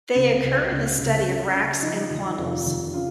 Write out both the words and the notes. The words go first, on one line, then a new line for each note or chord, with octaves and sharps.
They occur in the study of racks and quandles.
C#2 C4
C#2
C#2
C#2
C#3
C#3
F3 D#4
D#2
F1 F4
D#2
C#3 F4